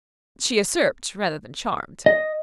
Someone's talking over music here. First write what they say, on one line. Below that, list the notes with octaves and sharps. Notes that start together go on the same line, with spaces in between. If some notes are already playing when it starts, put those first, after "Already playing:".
She usurped rather than charmed.
D#5